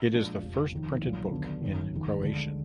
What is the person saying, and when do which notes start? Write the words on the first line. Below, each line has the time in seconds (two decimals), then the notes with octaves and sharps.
It is the first printed book in Croatian.
0.12 A#2 F3 G#3 D4
0.41 F1 F2 F3
0.72 F1 D#2 D#3
1.02 B1 A#2 F#3
1.31 D#2 D3 F#3 B3 D4
1.61 G#1 F#2 D#3
1.91 F1 D#2 D#3
2.21 D2 D3 G#3